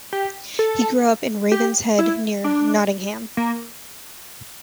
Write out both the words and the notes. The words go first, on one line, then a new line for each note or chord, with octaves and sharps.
He grew up in Ravenshead, near Nottingham.
G4
A4
G4
E4
D4
A#3